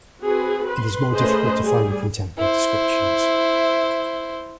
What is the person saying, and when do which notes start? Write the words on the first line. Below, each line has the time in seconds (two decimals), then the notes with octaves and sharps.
It is more difficult to find contemporary descriptions.
0.22 C4 F#4 G#4 B4
0.69 B4 C6
1.13 A3 C#4 G#4 B4 C5 D#5
1.62 G3 G#4
2.38 E4 C5